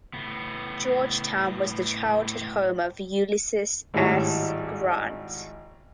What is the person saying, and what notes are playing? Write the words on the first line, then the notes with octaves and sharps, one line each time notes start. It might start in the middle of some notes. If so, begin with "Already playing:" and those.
Georgetown was the childhood home of Ulysses S. Grant.
A2 B3
G#1 A2 G3 E4 C#5 A5